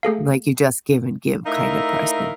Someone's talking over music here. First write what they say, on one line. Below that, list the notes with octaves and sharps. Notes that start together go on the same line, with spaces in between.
Like, you just give and give kinda person.
A3 G#4 A4 F5
A3 D#4 E4 A#4 E5 F5